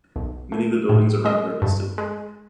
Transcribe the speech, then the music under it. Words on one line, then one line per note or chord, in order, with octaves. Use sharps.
Many of the buildings around are listed.
B1
A3
A2
G#3 D#5
G2
G#3